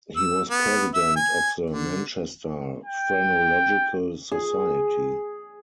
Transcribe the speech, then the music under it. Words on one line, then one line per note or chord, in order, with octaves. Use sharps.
He was President of the Manchester Phrenological Society.
E6
B3
E5
G#5
D3
G5
G#4